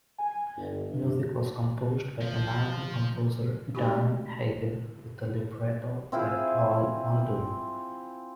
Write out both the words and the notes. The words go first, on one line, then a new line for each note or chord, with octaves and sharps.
Music was composed by American composer Daron Hagen with a libretto by Paul Muldoon.
G#5
G1
G2
F#4
F3
G#3 A3 C4 D#4 F#4 G4
C4 E4 F4 G#4